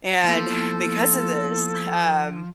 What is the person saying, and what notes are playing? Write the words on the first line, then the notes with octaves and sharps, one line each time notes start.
and because of this, um,
F3 A#3 B3 E4 A4